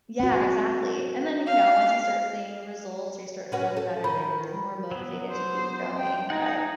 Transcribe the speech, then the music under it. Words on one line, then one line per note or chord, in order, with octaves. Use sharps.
Yeah, exactly. And then, you know, once you start seeing the results or you start feeling better, then you're more motivated to keep going, but
C4 F#4
F5
C#4 F#4 B4
A4
D#3 B5
F#3 B3
C5
G5
D#4 F#5 G#5 A#5